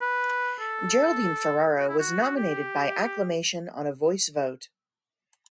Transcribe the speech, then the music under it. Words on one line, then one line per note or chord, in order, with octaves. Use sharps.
Geraldine Ferraro was nominated by acclamation on a voice vote.
B4
A4
F#4
E4
F#4
G4